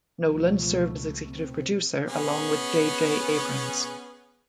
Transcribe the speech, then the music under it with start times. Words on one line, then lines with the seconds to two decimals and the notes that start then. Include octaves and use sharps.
Nolan served as executive producer along with J. J. Abrams.
0.25 C#2 B2 F3 A3
1.26 C4
2.08 B3 C#4 G#4